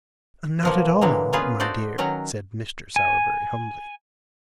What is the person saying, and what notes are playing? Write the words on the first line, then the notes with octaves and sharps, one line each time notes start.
'Not at all, my dear,' said Mr. Sowerberry humbly.
B2 F3 A#3
A#2 D3 E3 F#3 G#3 A#3
A#3 B3 C#4 F4 G#4 B4
D#4 F#4 A4 C5 D5
D#3 F#3 C#4 F#5 A#5
G#5